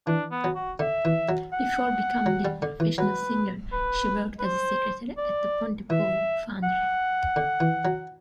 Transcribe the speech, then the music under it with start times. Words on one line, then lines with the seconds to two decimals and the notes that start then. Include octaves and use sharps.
Before becoming a professional singer, she worked as a secretary at the Pontypool foundry.
0.07 E3 D4
0.31 B3
0.44 F#3
0.55 F#4
0.79 D3 E5
1.05 E3
1.29 F#3
1.53 F#5
2.26 F#3
2.45 G3
2.62 D3
2.80 E3
2.98 F#3 B4
3.72 B4
4.39 B4
4.45 C5
5.17 D5
5.90 E3 E5
6.63 F#5
7.36 D3
7.60 E3
7.85 F#3